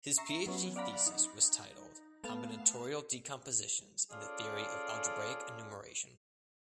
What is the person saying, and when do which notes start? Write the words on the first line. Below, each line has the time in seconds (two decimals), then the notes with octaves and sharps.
His PhD thesis was titled "Combinatorial Decompositions in the Theory of Algebraic Enumeration".
0.18 E5 A#5 C#6 C7
0.46 F#3 B3 C#4
0.76 D5 F5 F#5 A#5 B5
1.07 D#4
2.24 A3 B3 F5 A5 F7
4.10 C#4 F4 G#4 A4 D5